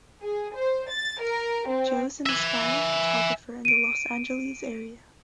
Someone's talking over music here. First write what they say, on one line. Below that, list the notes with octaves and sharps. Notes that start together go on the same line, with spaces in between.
Joe is an aspiring photographer in the Los Angeles area.
G#4
C5
A6
A#4
C4
E5 G#5
D7 D#7